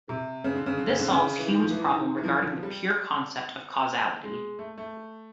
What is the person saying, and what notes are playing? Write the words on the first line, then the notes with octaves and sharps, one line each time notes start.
This solves Hume's problem regarding the pure concept of causality.
C3
C#3
D3
C#3
D3
C#3
D3
C#3
E3
D#3
F3
E3
D3
D#3
E3
F3
E3
F3
G3
G#3
A3
A3